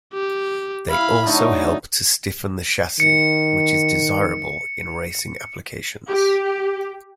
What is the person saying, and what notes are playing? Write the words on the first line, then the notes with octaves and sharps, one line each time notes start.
They also help to stiffen the chassis, which is desirable in racing applications.
G4
E4 F5 B5
D3 F#3 A3 D#4
D#3 C#7
G4